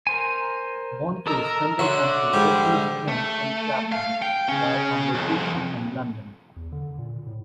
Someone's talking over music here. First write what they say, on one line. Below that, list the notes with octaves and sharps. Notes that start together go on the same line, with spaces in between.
Bonnke stumbled onto Jeffreys' home in Clapham while on vacation in London.
A#4 C5 G#5
A4 A#4 D#5 A#5 E6
D3 F#4 C#5 E5 C6
G#2 F3 G3
A3
F5
G5
C#3 C#4
C2 F2
E2
D3
A#2
A2